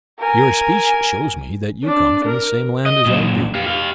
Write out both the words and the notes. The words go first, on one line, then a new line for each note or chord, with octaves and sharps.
Your speech shows me that you come from the same land as I do.
A#4 G#5
D4
A#4
D#5
A#2 F#3
G4 F5
G4 F5